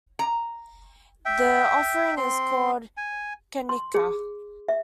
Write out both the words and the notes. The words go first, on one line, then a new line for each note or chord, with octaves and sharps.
The offering is called 'Kanikka'.
A#5
E5 G5
C4 C6
G#5
C6
G#4
E5